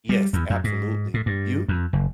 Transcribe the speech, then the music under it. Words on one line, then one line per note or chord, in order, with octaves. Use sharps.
Yes, absolutely. You?
G3
E2
F#2
G#2
A2
G2
F2
F#1